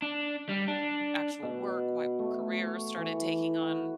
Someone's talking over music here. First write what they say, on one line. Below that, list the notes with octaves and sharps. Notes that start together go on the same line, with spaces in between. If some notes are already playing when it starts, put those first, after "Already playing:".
actual work, my career started taking on
D4
G3
D4
B2
A3
C#5
E3
F#4